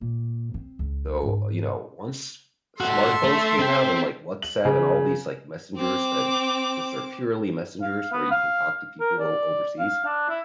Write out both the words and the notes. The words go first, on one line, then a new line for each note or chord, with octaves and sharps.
So, you know, once smartphones came out and, like, WhatsApp and all these, like, messengers that j just are purely messengers where you can talk to people o overseas,
A#2
C4
C#2
G#2
A2 F#4 A4 E5 C6
A3
C4 G5
F#7
C#3
C4 D6
F5
B3
F5
A#4
D5
F5
D4
E4